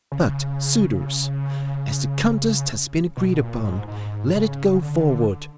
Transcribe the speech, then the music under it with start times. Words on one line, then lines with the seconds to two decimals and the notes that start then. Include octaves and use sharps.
But, suitors, as the contest has been agreed upon, let it go forward.
0.12 C#3
3.17 B2
3.40 A#2
3.64 G#2
3.88 G#2
4.35 C#3
4.82 D3